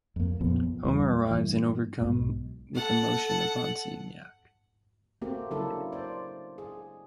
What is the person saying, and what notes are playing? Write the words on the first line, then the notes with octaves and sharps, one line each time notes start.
Homer arrives and overcome with emotion upon seeing Yak.
F2 A#3
F2 A#2 F3 B3
E2 E3 G3
G2 E3
B1 G#2 B2
A4 F#5
A3 A#3 C4 F#4 G4
C#3 F#3 A#3 D4 E4 A4
C5 D5
G#4